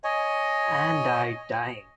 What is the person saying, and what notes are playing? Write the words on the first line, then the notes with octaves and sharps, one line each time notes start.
And I dying!
C#5 D#5 G#5